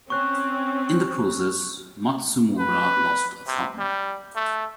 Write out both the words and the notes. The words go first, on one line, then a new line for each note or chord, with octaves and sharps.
In the process, Matsumora lost a thumb.
C4 C#4 C#6 F#6
B4
C3
G3
A3